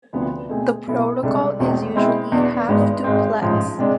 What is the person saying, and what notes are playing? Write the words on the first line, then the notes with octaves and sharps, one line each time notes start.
The protocol is usually half-duplex.
D2 C3 F3 B3 D4
B2 A3 C4 G#4
B1 B2 B3 E4 A4
C2 C3 G#3 D4 A4
E1 E2 C3 G#3
B2 G#3 C4 E4
E2 B2 B3 D4
G#1 G#2 G#3 B3 D4
G#1 G#2 G#3 C4
A1 G#2 F3
C3 G#3 D4